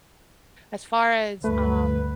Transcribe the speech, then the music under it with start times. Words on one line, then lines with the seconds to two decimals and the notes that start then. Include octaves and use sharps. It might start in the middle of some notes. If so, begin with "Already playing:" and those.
as far as, um,
1.44 D2 G2 A3 B4